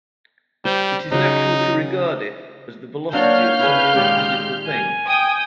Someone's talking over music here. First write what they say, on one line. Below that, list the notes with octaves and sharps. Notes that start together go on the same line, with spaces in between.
It is natural to regard it as the velocity of some real physical thing.
G3 C5
C#3 F#3 D#4
F#3 A#3 D4 F#4 C#5 F5 F6 G6
E4 G#4 B4 C#5
A#2 D#3 G#3 G4
G#5
G5 D#6